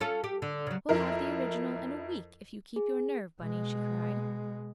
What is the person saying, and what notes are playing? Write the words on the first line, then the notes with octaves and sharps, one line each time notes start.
"We'll have the original in a week if you keep your nerve, Bunny," she cried.
C#4 F4 A4
G4
D3
C#3 F#3
F2 E4 A#4
G#4
B2 G#3